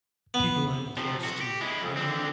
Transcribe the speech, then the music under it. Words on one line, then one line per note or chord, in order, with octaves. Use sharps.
people I'm close to, you know?
B3
C3 F3
B1 F#4
G4
G#3 E4
F2
D3 C4